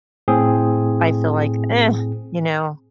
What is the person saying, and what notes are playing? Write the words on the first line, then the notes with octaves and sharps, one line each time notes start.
I feel like, eh, you know?
A2 C4 G#4